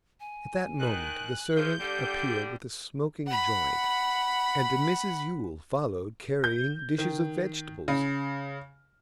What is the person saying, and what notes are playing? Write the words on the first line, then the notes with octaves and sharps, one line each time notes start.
At that moment the servant appeared with a smoking joint, and Mrs Yule followed carrying dishes of vegetables.
G#5
D#3 F#6
C#3 E3 F3 G#4 G6
D3 G3 G4
F#5 B5
G6
D#3
C#3